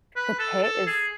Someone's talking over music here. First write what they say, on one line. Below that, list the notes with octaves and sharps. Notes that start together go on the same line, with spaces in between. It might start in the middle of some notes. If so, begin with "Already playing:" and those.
The Pitt is
B4
A4
A4
G#4